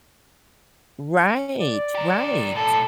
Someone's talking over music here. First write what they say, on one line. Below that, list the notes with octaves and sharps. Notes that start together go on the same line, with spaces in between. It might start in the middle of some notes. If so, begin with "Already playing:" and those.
Right, right.
D5
G4 A#4
B1 A2 A4